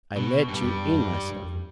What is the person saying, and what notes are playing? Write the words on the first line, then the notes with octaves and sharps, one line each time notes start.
I let you in myself.
B2
G2 G3
F#2
F#2
F2